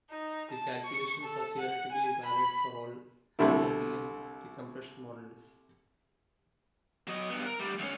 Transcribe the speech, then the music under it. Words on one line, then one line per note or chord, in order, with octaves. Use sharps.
The calculations are theoretically valid for all Haldanean decompression models.
D#4
A5
C#6
A4
F#5
G#5
B5
C2 D3 A3 E4
F#3 D#5
G2 B3
A#4
D2 G3
D2 C#4